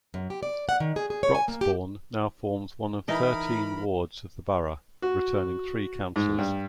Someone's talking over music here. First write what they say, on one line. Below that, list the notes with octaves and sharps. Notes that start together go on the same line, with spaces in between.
Broxbourne now forms one of thirteen wards of the borough, returning three councillors.
F#2
G4
D5
F#5
D#3
G#4
G#4
C#5
G#5
A#3
G4
E3 D#4 A#4 D#5 B5
F#4
G#2
G2